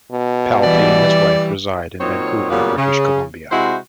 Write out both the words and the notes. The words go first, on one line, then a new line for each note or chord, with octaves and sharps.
Palffy and his wife reside in Vancouver, British Columbia.
B2
E3 G3 D5
A#2 F#3 C4 D#4 C#5
A#2 C#3 F#3 G3 A#3 B3
C#3
C3 G#3 E4 F#4 C5